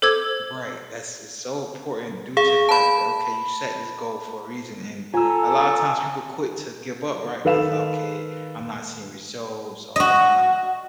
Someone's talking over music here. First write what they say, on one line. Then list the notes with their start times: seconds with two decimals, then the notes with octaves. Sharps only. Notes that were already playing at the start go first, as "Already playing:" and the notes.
Right, that's it's so important due to fact that, okay, you set this goal for a reason, and a lotta times people quit to give up, right? 'Cause, "Okay, I'm not seeing results or I'm not
0.02 A4 C5 D6 E6 G#6
2.37 G#4 F5
2.69 A5 B5
5.14 F4 A4 G#5 A#5 E6
7.45 D#3 A4 B4 F5 E7
9.96 F#4 D#5